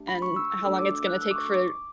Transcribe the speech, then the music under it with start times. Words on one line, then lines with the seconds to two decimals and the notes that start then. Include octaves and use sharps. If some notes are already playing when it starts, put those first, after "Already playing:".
and how long it's gonna take for
Already playing: A3 D4 G4
0.08 B5
0.22 C#6
0.36 E6
0.50 E6
0.64 A3 D4 F#4 A4 E6
0.78 D6
0.93 E6
1.07 F#6
1.22 E6
1.31 D6
1.36 C#6
1.51 D6